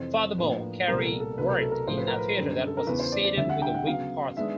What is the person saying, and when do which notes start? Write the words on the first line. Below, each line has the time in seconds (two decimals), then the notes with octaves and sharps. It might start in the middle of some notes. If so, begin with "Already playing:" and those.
Furthermore, Carey worked in a theatre that was associated with the Whig party.
Already playing: F2 C3 E3 C5
0.38 A2 F3 A#3 D4 B4
0.88 C2 A#2 G3 B3 A#4
0.98 A4
1.20 A4
1.38 C2 B2 F#3 A3 B4
1.49 A#4
1.61 A4
1.71 A#4
1.87 A2 F3 A3 C5
1.98 B4
2.08 A#4
2.18 B4
2.37 F#2 D3 G3
2.67 A4
2.77 A#4
2.87 E2 C#3 E3 B4
2.99 C5
3.12 D5
3.24 D5
3.37 D2 D3 G3 C4 E5
3.49 F#5
3.62 G5
3.74 F#5
3.87 C#3 F#3 B3 F5
4.37 D#3 G#3 B3 D4 E5